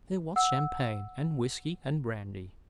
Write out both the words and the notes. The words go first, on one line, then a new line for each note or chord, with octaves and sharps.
There was champagne, and whiskey, and brandy.
F#5 E6